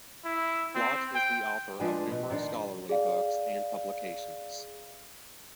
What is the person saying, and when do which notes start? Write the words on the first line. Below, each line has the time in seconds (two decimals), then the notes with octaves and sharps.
Plott is the author of numerous scholarly books and publications.
0.25 E4
0.75 C4
1.15 G5
1.80 F3 G#3 D4 B4 G#5
2.11 B2
2.30 D#3 F3 D4 D#4
2.89 G#4 D5 F5